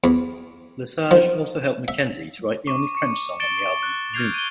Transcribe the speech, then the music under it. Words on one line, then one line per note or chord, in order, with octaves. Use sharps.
Lesage also helped McKenzie to write the only French song of the album, "Nous".
E2
F3
E5
C#6 D6
C#6 C#7
A6 C#7 D7 E7 G7
F#6
F6 G6 G#6 C7 F7
D#7 G7